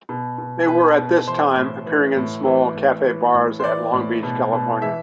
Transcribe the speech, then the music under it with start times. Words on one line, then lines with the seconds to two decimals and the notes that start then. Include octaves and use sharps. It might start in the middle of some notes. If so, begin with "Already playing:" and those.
They were at this time appearing in small cafe-bars at Long Beach, California.
0.09 B2
0.38 B2
0.67 B2 B4
0.98 B2
1.27 E3 C5
1.56 A2
1.86 E3
2.16 A2
2.45 E3
2.75 A2
3.04 E3
3.34 A2
3.60 C5
3.64 E3 D5
3.93 A2
4.23 B2
4.53 B2
4.82 E3 E5